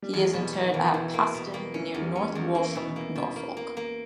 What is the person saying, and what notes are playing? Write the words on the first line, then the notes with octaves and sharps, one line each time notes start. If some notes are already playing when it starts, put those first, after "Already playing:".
He is interred at Paston, near North Walsham, Norfolk.
G3
E2 G#3
B2 G#3
G3
B2
D#3
E2
D#3
E2 E3
A#3
B2
A#3
E3 C#4
E2 E3
G3
C#4
G3
G#3
E2
G3
E3 A#3
B2
A#3
B2
A#3
A#3
A#3